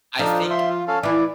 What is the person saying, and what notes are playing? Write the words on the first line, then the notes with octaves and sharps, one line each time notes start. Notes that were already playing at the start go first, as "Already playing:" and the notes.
I think
F3 D4 D#4 A4
E5 C6
F4
C#4 A4 F5
E3 E4 D5